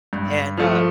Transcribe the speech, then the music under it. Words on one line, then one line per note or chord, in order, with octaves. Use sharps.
and uh,
G2
F3 A3